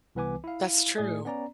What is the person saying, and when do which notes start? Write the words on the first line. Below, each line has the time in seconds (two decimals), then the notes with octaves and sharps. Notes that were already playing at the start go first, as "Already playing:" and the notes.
That's true.
0.15 C2 E3 B3 B4 G#5 D6
0.44 E4 F5
0.97 A2 A3 G#4 D5
1.25 B3 C#4 D5 A#5